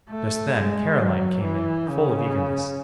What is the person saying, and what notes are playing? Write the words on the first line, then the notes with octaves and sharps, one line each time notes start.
And, just then, Caroline came in, full of eagerness.
A3
G#3
F#3
E3
C#3